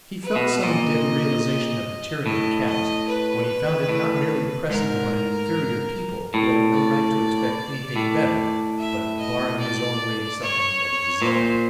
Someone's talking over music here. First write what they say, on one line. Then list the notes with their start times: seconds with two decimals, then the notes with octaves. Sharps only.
He felt some dim realization of the tyranny of caste, when he found it not merely pressing upon an inferior people who had no right to expect anything better, but barring his own way to something that he desired.
0.23 B4
0.36 B2
0.63 A#2 D#5
2.25 A2 D#5
2.66 D#5
3.08 B4
3.89 A2
4.70 G#2 A#4
6.34 A2
6.73 D5
7.96 A2
8.78 E5
9.19 D#5
9.59 D5
10.41 C#5
11.22 A#2 C5